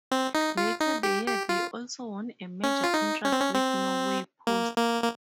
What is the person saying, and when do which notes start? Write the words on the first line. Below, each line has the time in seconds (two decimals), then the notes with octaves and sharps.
Later the year they also won a major contract with Norway Post.
0.12 C4
0.35 D#4
0.57 F4
0.80 D#4
1.03 G4
1.27 G4
1.49 F4
2.63 C#4
2.84 F4
2.94 D#4
3.25 C#4
3.32 C4
3.40 C#4
3.55 C4
4.47 A#3
4.78 A#3
5.03 A#3